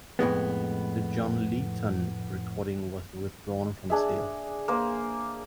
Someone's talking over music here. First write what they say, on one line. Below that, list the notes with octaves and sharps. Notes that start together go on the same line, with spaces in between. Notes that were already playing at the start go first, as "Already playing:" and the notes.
The John Leyton recording was withdrawn from sale.
F2 A2 G#3 B3
D4 G#4 E5
A#3 C5